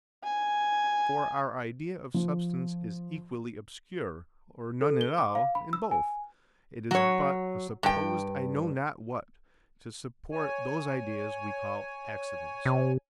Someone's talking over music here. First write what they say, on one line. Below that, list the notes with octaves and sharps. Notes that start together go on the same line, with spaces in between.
For our idea of substance is equally obscure, or none at all, in both: it is but a supposed I know not what, to support those ideas we call accidents.
G#5
F3
A4
G7
D6
F5
B5
E6
G#5
F#3 C#5
G2 G5
C#5 G#5
C3